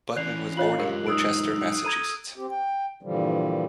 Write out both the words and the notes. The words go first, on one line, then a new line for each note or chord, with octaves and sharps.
Butman was born in Worcester, Massachusetts.
E3 C#4 D5 F#6 C7 F7
F4 C#5 D#5 F5 F#6 F#7
F#2 G#3 G4 G#4 A#4
D#4 D#6 E6 D7
A4 A#5 G#6 D#7
C4 G4
G5
G2 A#2 D3 E3 F3 G3